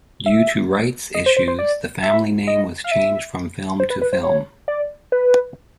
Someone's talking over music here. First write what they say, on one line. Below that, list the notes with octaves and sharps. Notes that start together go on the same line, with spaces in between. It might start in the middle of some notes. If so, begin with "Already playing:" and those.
Due to rights issues, the family name was changed from film to film.
E5
D#5
C5
C5
C5
D5
E5
D#5
F5
E5
C5
B4
B4
C5
C#5
D5
B4